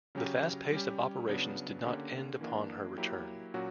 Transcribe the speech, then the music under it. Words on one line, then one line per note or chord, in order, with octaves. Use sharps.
The fast pace of operations did not end upon her return.
C#3 F#3 C#4 G4
G3 C#4 G4
C#3 F#3 B3 D4
D3 A#3 C#4 G4
E3 A#3 D4
F#3 A#3 E4 G4
A#2 F#3 C#4 F#4